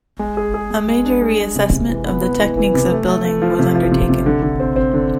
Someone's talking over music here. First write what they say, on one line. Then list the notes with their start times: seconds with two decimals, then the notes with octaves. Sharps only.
A major re-assessment of the techniques of building was undertaken.
0.19 G#3
0.37 G#4
0.54 G#4
0.71 G#3
0.88 G#3
1.05 D4
1.22 G#3
1.39 G#3
1.55 C3
1.72 C3
1.89 E3
2.06 B3
2.23 B3
2.40 E3
2.57 E3
2.74 C3
2.91 A3
3.08 A3
3.25 A3
3.42 F3
3.59 C3
3.75 F3
3.91 C3
4.09 C3
4.26 D3
4.42 D3
4.60 C4
4.76 C4
4.94 D3